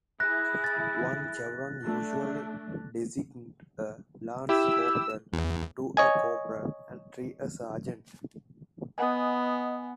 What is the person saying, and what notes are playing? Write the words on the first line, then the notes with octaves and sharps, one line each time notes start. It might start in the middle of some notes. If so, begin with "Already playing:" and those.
One chevron usually designates a lance corporal, two a corporal, and three a sergeant.
E4 G#4 F#6 A#6
A6
A3 D4
E4 G4 E6
E2
C#5 D#5 G#5
B3 D#5 F#5 G#5 D#6